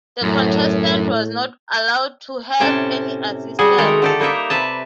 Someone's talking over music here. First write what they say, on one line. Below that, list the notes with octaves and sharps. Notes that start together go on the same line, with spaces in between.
The contestant was not allowed to have any assistance.
F#2 A2
A2 C3 C#4 G5 A5
G3 F#4 G#4
D#3 G#3 A3 A4 A#4
D3 G4 A4
G3 A#3 D#4 A#4 E5
C3 B4 E5 A5